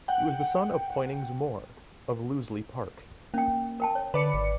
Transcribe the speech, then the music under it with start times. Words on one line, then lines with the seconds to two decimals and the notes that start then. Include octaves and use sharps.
He was the son of Poynings More of Loseley Park.
0.08 F#5 G5
3.34 A#3 C#4 G5
3.80 A#4 G5 A5
3.95 C#5
4.14 D3 B4 D5 B5 C#7
4.34 G#1